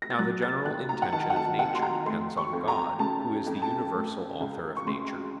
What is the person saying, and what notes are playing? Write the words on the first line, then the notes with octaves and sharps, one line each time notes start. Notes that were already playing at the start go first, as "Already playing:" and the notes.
Now the general intention of nature depends on God, Who is the universal Author of nature.
A#6
A6
F#3 F#6
A6
D#2 F#6
A#5
F#5
D#3 A5
F#5
A5
D#2 F#5
C6
A#5
A3 C6
C#6
F2
A#5
C#3 A5
F2
A5
A3
C#2
C#6
C#3 C6